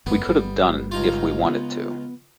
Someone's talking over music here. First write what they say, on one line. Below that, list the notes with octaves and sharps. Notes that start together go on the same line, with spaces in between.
We could've done if we wanted to.
G1 F#2 B3
G1 G3
C#2 D#4 F4
B3